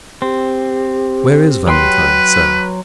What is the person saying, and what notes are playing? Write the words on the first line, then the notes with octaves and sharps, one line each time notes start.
Where is Valentine, sir?
C4 G4
F#3 B4 G5 C6